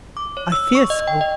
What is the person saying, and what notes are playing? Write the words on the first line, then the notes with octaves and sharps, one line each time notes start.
"I fear so."
D6
C#5
E6
C#6
D#5
G5
D#5